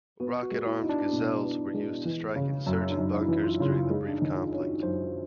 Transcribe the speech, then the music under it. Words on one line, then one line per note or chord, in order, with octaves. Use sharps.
Rocket-armed Gazelles were used to strike insurgent bunkers during the brief conflict.
B3 F#4
F#4
G#3
E4
D#4
D4
B2
B3
G#3
E3
C#3
F#2
D4
F#2 D#4
E4
E3
F4
C#3 F4
E4
G#3 D#4
D4
D#4
D#3
F4
C#4
F#4
F#2 C5